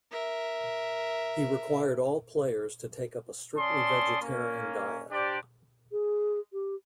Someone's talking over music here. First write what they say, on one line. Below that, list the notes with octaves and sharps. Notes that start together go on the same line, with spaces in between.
He required all players to take up a strictly vegetarian diet.
A#4 E5
C#4 D5 A5 C6 D#6
A#3 C#4
D4 G4 C5 D5
G#4
G4